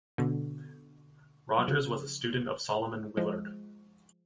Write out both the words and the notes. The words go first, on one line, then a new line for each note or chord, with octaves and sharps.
Rogers was a student of Solomon Willard.
B2 D3
F#3
C#3 F3
F3 G#3